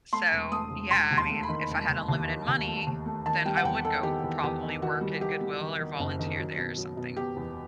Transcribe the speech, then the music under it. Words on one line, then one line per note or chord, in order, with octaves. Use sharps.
So yeah, I mean, if I had unlimited money, then I would go probably work at Goodwill or volunteer there or something.
A3 C6
E1
A3 D#6
E1
E1 C6
D#2
C6
A3
B5
D#3
E1
D#2
D#2
D#3
D#2
A3
D#2
A3
D#3 A5
G3 G5
F#5
E2 G5
D#3 A4
D#3 G4
E2
E2 G4
D#3
D#3 F#4
G3
D#3 G4
G3
D#3
D#3
F#1
D#3
F#3
B2
F#3
B2
B2 G4
E2